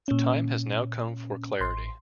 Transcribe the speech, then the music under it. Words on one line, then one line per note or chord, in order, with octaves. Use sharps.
The time has now come for clarity.
A#2 C#4
A1 C6